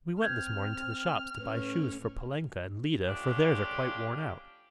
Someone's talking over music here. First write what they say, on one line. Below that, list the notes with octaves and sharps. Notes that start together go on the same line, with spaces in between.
We went this morning to the shops to buy shoes for Polenka and Lida for theirs are quite worn out.
C4 F6 G6 G#6
A2 C#4 B4
F3 A3 C#4 D4 F4 G4